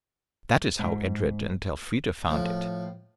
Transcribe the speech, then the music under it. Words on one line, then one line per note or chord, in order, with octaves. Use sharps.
That is how Edred and Elfrida found it.
G#2
A2 F3